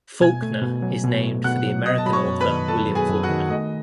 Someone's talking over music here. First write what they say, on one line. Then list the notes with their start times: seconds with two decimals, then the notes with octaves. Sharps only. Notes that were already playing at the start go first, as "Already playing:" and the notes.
Faulkner is named for the American author William Faulkner.
0.21 B2 G#5 G#6
0.42 A3
0.62 B2
0.82 F#3
1.03 B2
1.24 A3
1.44 B2 F#5 F#6
1.66 F#3
1.85 B3 D#5 D#6
1.98 A5
2.06 F#3 B5
2.13 C#5 C#6
2.27 F#2
2.41 B4 B5
2.47 D#3
2.68 B3 A4 A5
2.89 F#3
2.95 G#4 G#5
3.10 F#2
3.23 F#4 F#5
3.29 D#3
3.50 A3 D#5